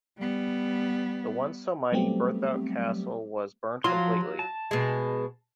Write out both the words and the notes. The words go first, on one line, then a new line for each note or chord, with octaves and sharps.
The once so mighty Berthout Castle was burnt completely.
G3 B3
F#3 G3 A3 B3 C4 G4
F3 F#3 F4 C6
A5
B2 G#3